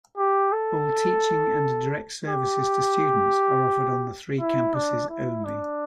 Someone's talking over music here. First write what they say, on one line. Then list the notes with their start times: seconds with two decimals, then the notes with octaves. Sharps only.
All teaching and direct services to students are offered on the three campuses only.
0.17 G4
0.53 A4
2.28 G4
4.40 E4
4.75 D4
5.09 E4
5.45 D4